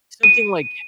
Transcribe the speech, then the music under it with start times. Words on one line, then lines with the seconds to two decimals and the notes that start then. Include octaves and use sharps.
something, like,
0.23 D#7